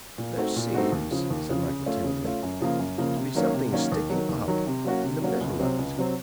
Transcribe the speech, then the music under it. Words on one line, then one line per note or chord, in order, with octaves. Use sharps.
"There seems," said Michael, timidly, "to be something sticking up in the middle of it."
A#2
A3 C4 D#4 F#4
A#2
A3 C4 D#4 F#4
D#2
C#3 F3
D#2
C#3 F3
C#3
A3 C#4 F4
C#3
A3 C#4 F4
F#2
C#3 F3 A#3
F#2
C#3 F3 A#3
C3
D#3 F#3 A#3 C#4
C3
D#3 F#3 A#3 C#4
D#2
D#3 F#3
D#2
D#3 F#3
C3
F#3 A#3 C#4 F#4
C3
F#3 A#3 C#4 F#4
C#2
C3 F#3 C4
C#2
C3 F#3 C4